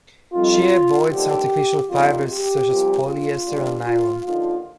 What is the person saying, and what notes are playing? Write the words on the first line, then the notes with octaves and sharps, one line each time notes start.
She avoids artificial fibres such as polyester or nylon.
F2 D#3 G3 F4
D#2 D3 F3 G4
F2 D#3 G3 F4
G4
C2 A#2 F3
F4
D#2 D3 G3
F4
D#2 D3 F3 F4